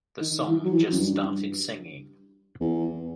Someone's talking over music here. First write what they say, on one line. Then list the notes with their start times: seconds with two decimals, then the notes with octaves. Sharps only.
The song just started singing.
0.21 D#3
0.40 D#3
0.47 E3
0.65 F#3
0.73 E3
0.92 F#2
1.00 G2
2.61 E2